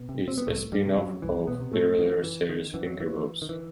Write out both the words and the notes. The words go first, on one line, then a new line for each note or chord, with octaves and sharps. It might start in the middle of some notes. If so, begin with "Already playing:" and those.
It is a spin-off of the earlier series Fingerbobs.
Already playing: B2 B3
C3
C4
B3
C2 A2 A3
G2 G3
C3
F#2 F#3
C2 E3
B2 B3
C3
A2 A3
F#2 E3
E3
D#3
F#2 E3
F#3
E3
D#3
E3